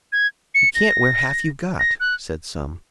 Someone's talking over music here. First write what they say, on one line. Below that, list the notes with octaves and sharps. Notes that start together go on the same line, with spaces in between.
"You can't wear half you've got," said some.
G#6
C#7
A#6
A#6
F#6